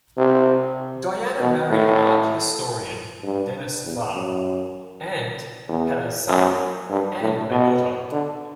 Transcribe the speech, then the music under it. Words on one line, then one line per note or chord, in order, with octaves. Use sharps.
Diana married art historian Dennis Farr, and had a son and a daughter.
C3
B2
A2
G2
E2
F#2
E2
F#2
G2
A2
B2
D3